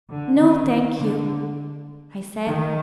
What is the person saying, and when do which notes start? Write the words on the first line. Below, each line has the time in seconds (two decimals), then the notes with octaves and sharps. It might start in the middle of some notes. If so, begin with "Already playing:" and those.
"No, thank you," I said.
0.11 D3
0.40 D#3
1.00 D3
2.48 D#3